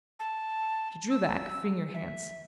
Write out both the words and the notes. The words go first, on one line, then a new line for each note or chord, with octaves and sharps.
She drew back, freeing her hands.
A5
E6
E5